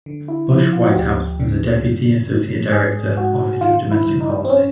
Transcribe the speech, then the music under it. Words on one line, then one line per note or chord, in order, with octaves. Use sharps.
Bush White House as a Deputy Associate Director, Office of Domestic Policy.
D3
E4
F3 E4
F4
F#4
D2 G4
C#3
G2
G2
G#2 G#4
G#2 F#4
D#3 F4
E4
G2
D#4
C4
C#4